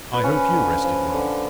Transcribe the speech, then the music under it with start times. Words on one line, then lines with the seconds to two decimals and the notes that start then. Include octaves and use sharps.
I hope you rested well.
0.14 B4
0.23 F3 C#4 C#5
0.53 D3
0.83 F3
1.14 D3